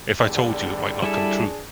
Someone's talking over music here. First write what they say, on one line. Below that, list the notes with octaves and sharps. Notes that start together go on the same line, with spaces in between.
If I told you it might not come true.
E2 D3 G3
G3 D4 E4 G#4 A4